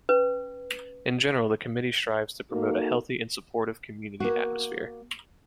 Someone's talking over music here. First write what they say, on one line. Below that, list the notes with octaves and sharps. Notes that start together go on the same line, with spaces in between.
In general, the committee strives to promote a healthy and supportive community atmosphere.
C#4 B4
A#3 D#4 F#4 A4 A#4
A#3 F#4